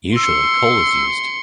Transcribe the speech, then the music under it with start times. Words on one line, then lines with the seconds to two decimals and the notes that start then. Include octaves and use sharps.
Usually, coal is used.
0.16 C6 E6 C#7